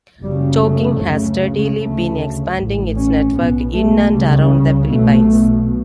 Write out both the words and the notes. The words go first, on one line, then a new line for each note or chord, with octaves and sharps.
Chowking has steadily been expanding its network in and around the Philippines.
F#1 F#2 C#3 G3
A3
D2 C#3
D2 C#3 A3
A1 A2
C#4
B1 B2 B3
A3
C#2 C#3 G3
B1 B2 A3